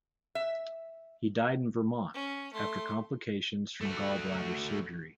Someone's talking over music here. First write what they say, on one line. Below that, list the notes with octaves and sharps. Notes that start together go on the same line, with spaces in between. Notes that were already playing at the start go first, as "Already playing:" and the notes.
He died in Vermont after complications from gall bladder surgery.
E5
C#4
A3 C6
A3 F#4